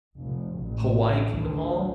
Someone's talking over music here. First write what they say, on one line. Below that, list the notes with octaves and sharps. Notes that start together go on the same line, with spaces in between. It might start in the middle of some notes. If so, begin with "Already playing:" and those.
Hawaii Kingdom Hall?
F1
A1
D2